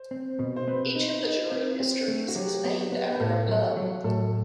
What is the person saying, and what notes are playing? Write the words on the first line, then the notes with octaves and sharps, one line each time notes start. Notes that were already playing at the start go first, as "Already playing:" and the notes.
Each of the Jury mysteries is named after a pub.
Already playing: C5
C4
B2
C5
C4 B4
D#4
D#4
C4
C4
A3
F#4
F#3 G4
B3
B3
B4
A2 A4
F#3 A4
F#3
A2 A4